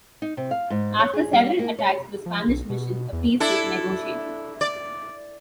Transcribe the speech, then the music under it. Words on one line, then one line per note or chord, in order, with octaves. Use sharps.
After several attacks on the Spanish mission, a peace was negotiated.
D#4
C3
F5
G#2
C#5
G#4
G3
A#3
C#5
F3
B1
B2
E2
D4 E4 A4
D5